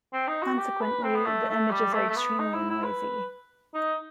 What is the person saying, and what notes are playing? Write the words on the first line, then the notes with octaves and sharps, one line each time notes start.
Consequently, the images are extremely noisy.
C4
D#4
F#4
G4
B4
C4
B3
A3
A3
G3
A3
A3
B3
D#4
E4
E4
B4
D#4